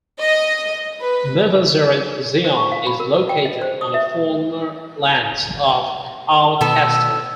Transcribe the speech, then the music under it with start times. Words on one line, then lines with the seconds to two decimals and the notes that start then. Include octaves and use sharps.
Mevaseret Zion is located on the former lands of Al-Qastal.
0.20 D#5
1.02 B4
2.45 C5
2.57 C#6
2.72 F5
2.87 B5
3.00 A#4
3.16 B4
3.29 G5
3.45 D#5
3.62 C5
3.81 D#6
3.94 E5
6.61 B2 D#3 A3 B3 A4 E6